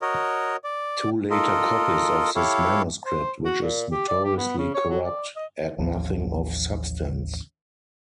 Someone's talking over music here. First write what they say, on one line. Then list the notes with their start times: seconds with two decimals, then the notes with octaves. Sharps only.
Two later copies of this manuscript, which is notoriously corrupt, add nothing of substance.
0.02 F#4 A#4 C#5 D#5
0.64 D5
1.31 F4 A4 A#4 D#5
2.36 E4 G4 A4 C#5 F5
3.06 C5
3.45 F#4
3.62 A#2
3.91 G4
4.08 D5
4.24 G4
4.37 B3
4.57 C#3
4.74 C#5
4.90 F#3
5.05 D5
5.36 D#5
5.78 A1 D#2 A2 F3